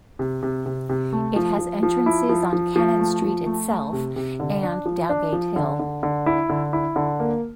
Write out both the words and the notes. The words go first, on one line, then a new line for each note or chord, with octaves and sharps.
It has entrances on Cannon Street itself and Dowgate Hill.
C3
C3
C3
C3
A3
F3
F3
F3
E4
F3
F3
F3
A3
F3
A3
A3
C3
C3
D3
D4
F3
D4
F3
D3
D3
D3
E4
D3
E4
D3
A#3